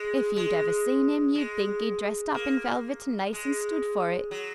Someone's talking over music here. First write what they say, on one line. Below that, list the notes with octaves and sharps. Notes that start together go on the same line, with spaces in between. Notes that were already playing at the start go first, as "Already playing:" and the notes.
If you'd ever seen 'im, you'd think 'e'd dressed up in velvet and lace and stood for it.
Already playing: G#3
G#3
G#3
A#3
G#3
F#3